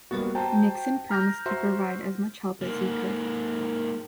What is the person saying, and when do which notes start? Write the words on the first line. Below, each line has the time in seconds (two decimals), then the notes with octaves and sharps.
Nixon promised to provide as much help as he could.
0.11 G3 A#3 B3 F#4
0.35 F#4 C5 G5 A5 A#5
1.09 A#5 F6 G6 A#6
1.46 F#4 C5 E5 A#5 C6
2.61 G#2 A#3